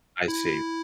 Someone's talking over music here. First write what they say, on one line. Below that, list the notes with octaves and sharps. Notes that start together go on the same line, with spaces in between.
I see.
E4